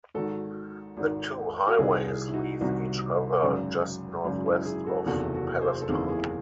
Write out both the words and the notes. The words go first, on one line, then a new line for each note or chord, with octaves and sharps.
The two highways leave each other just northwest of Palestine.
G#1 G#2 D#3 F#4 A4
G#1 G#2 D#3
F#4
C2 C3 D#3 E4 G#4
E4 G#4
E4
D#4 F#4
C2 C3 D#3 D#4 F#4
G#1 F#2 C#3
G#1 F#2 C#3
E4
E4 G#4
F#4 A4
F#1 E2 C3 D#3 F#4 A4
F#4 A4
G#4 C5
A4
F#1 E2 C3 D#3 E4 G#4
E4 G#4